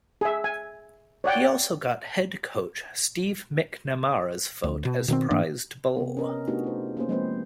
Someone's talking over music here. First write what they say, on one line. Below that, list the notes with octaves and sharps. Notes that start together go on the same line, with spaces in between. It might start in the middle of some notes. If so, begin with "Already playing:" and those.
He also got Head Coach Steve McNamara's vote as Prized Bull.
G#4 E5
G#5
C#5 D5 F#5 G5
D2
B2
B2 D#3 B3 C4
G#2 E3 A#3 D4
C3 B3
C#4 A#4 D#5
A3 B3 D4 D#4 F#4 G4
F4 C5
A#3 B3 C#4 G#4 C5
F3 G#3 A#3 C4 B4 C5